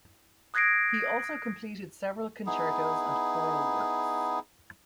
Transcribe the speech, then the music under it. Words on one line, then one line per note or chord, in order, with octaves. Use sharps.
He also completed several concertos and choral works.
D#6 F#6 G#6 A#6 C7 D7
B3 D#4 E4 G#4